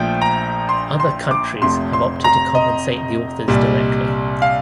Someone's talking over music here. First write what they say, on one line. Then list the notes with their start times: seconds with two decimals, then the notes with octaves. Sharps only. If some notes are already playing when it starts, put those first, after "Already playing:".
Other countries have opted to compensate the authors directly.
Already playing: A#1 A#2 F3 A3 G5
0.22 A#5
0.69 C6
1.00 C6
1.31 D6
1.61 F1 F2 C3 F3 A3 C6
1.93 C6
2.24 A#5
2.55 D#5
3.48 C2 A#2 G3
4.42 F5